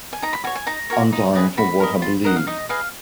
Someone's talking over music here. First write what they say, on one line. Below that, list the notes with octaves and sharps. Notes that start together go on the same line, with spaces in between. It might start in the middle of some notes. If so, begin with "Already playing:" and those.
I'm dying for what I believe.
G#5
D#4 A#5
B5
F#4 C#5 G#5
G#5
D#4 A#5
F#4 A#4 C#5
D#4
G#4 B4 D#5
F#4 B5
A#4 D#5
F4
A#4 D#5 F#5
F5
D#4 D#5
G#4 B4 D#5 F5